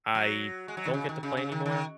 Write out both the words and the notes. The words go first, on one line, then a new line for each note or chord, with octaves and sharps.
I don't get to play anymore,
F#3
G#3
F#3
D#3
C#3
D#3
C#3
C#3
D#3
D#3